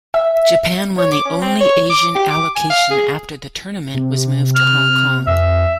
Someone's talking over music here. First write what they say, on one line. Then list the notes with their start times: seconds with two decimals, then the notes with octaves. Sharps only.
Japan won the only Asian allocation after the tournament was moved to Hong Kong.
0.14 E5
0.98 C#5
1.11 D6
1.25 C#4
1.42 C4
1.60 C#5
1.90 D6
2.15 G4
2.30 D6
2.56 G#5
2.70 F5
2.90 G#4
3.95 C3
4.56 F6
5.27 F2 E5